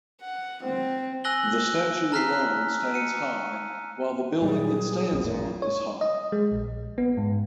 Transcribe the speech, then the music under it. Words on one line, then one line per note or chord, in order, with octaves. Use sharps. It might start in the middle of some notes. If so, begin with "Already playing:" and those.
The statue alone stands high while the building it stands on is high.
F#5
C4
G#5 E6 F#6 A#6 F#7 G7
A5 A#5 F6 F#6 B6 C7
C#7 D#7
A#2 F#3 G3 G#4
B1 B2
A1 F#2 A#2
C#5
D#5
G#3
A#1
B3
G#2